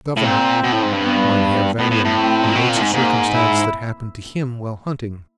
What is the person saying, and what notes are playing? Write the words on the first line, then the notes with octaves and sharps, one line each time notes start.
The Governor, Mynheer Vanion, relates a circumstance that happened to him while hunting.
A2
A#2 C4
B2
A2
G#2
G2
B3
A2 B3
A2
A2
C4
A#2
B2
A#2
A2
G#2
G#2 A#3
E4